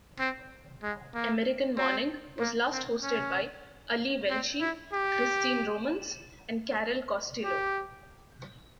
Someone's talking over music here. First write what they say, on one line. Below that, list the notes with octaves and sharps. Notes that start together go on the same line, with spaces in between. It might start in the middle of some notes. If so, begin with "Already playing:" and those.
"American Morning" was last hosted by Ali Velshi, Christine Romans and Carol Costello.
C4
G#3
A#3
C4
A#3
C4
C#4
C4
E4
G4
G4